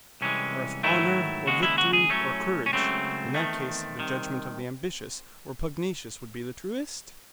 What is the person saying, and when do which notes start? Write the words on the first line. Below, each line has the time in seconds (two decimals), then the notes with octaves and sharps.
Or if honour or victory or courage, in that case the judgment of the ambitious or pugnacious would be the truest?
0.21 C2 C3 E3 G#3 C#4
0.83 G#2 D#3 F#3 A3 E4
1.47 D#2 C#3 G#3 F#4
1.63 E4
1.78 F#4
1.93 G#4
2.10 A2 F#3 A3 C#4
2.66 C#4
2.72 C#2 C#3 F#3 A3 C4
3.34 E2 D#3 A3
3.98 C2 C3 D#3